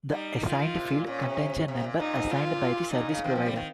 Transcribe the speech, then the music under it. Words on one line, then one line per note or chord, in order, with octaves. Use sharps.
The Assigned field contains a number assigned by the service provider.
G3 D#4
D#3 F4
D#3
C3
A#2
A#2 C#4
C3
C3
A#2
A#2 D#4
G#2
A#2 F4
A#2
A#2 D#4
C#3
D#3 C4
F3
G3
D#3